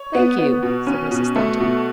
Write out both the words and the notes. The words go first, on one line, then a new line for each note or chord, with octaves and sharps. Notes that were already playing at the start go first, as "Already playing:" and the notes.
'Thank you,' said Mrs. Thornton.
Already playing: C#5
B3
B3
B2
C#4
B2
A3
B2